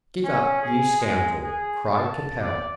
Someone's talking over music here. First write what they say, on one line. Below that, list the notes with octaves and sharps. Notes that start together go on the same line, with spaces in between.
"Give up, you scoundrel!" cried Capel.
C#4
G#4
G#3
G#4
A5
D5